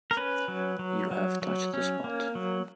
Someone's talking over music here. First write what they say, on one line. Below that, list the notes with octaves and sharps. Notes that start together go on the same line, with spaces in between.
You have touched the spot.
A#4
C#4 B4
F#3
F#3
F#3
F#3
C#4
A#3
F#3